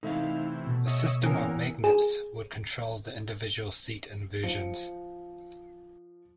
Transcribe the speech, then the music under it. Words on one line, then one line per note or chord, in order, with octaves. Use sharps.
A system of magnets would control the individual seat inversions.
C3 E3 A3 D#4 E5 F5
B2
C#5 D#5 E5
E2 E3 A#3 C#4 A#4 G5
G#4
F3 C#7